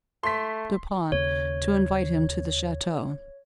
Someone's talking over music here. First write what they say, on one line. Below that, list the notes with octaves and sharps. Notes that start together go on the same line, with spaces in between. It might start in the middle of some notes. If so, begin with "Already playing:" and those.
Du Pont to invite him to the chateau.
A3 C6 B6
D#2 C#3 C#5